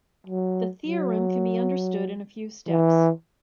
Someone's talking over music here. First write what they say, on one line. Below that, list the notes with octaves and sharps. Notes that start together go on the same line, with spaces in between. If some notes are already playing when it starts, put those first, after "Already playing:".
The theorem can be understood in a few steps.
F#3
F#3
E3